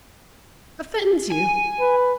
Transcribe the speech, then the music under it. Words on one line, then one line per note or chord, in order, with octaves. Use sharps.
'Offends you!
G#5
B4